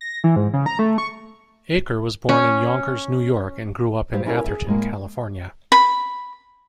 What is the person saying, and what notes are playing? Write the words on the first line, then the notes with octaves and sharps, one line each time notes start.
Aker was born in Yonkers, New York and grew up in Atherton, California.
A#6
E3
G#2
C#3
A#5
A3
C#6
C#4
G2 G3 G4 C5 F5
C#4 E4 G4 A4 A#4 C#5
G#4 E5
A2 G#3 A#3
B5